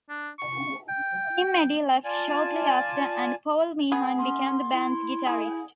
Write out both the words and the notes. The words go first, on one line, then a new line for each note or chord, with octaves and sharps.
Tim Edey left shortly after, and Paul Meehan became the band's guitarist.
D4
C#6
G5
F4 D5 G#5 A5
B3 G#4
C#4 C6
E4
E4 G#4